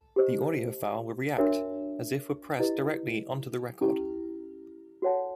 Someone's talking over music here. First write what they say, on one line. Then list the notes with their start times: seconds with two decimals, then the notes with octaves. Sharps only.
The audio file will react as if were pressed directly onto the record.
0.16 G4 C5 D#5
1.38 D4 F#4 A#4 C#5 E5
2.59 E4 G4 B4 D#5
3.81 C#4 E4 G4
5.02 F#4 A4 C#5 F#5 A5